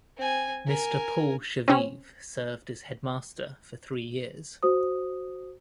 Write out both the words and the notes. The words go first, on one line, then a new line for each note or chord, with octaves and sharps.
Mr. Paul Shaviv served as headmaster for three years.
C4 G#5
A#4 G#5
C4 C#4
F#4 C5 D#6